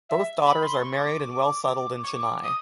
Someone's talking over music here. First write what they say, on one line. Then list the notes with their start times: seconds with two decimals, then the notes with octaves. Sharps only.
Both daughters are married and well settled in Chennai.
0.09 E5
0.44 B5
0.62 C6
0.79 C#6
0.97 D6
2.03 C#6
2.16 D6
2.43 D#6